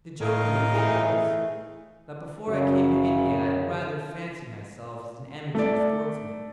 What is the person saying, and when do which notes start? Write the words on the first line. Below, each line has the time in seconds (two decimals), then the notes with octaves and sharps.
The joke of the thing was, that before I came to India I had rather fancied myself as an amateur sportsman.
0.20 A2 D#4 F4 A#4
0.74 E3 A3 G#4
2.48 F#2 C#3
5.55 A3 D5